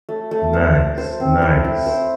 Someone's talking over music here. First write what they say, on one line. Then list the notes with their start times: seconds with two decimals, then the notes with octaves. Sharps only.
Nice, nice.
0.09 A3
0.31 A3
0.53 C5
0.75 C5
0.98 C5
1.20 C4
1.42 E4
1.64 E4
1.86 C5